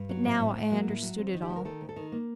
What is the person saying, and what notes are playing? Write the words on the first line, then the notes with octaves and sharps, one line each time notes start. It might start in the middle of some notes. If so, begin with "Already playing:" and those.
But now I understood it all.
Already playing: G2
F#3
A2 C4
A2
A2
F#3 A#3
A2
F#3
D2 C4
D#3
G4
D2
A#4
D#3 A4
D2
A4
D#3
A#3